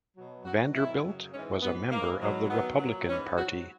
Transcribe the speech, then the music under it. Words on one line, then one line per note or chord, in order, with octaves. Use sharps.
Vanderbilt was a member of the Republican Party.
B2 F#3
B2 F#3 F#4
G#2 D#3 F#3 E4
F#2 C#3 F#3
G#2 E3 C#4
G#2 E3 B3
G#2 E3 A#3
B2 F#3
F#2 D#3 F#3 B3
A#2 F#3
G#2 E3 C#4
G#2 F#3 F#4